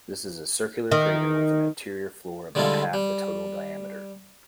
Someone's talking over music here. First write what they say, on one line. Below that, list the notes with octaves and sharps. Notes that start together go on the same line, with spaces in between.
This is a circular crater with an interior floor about half the total diameter.
D#3
D3 G3 G#3 E4 F4 A4
G3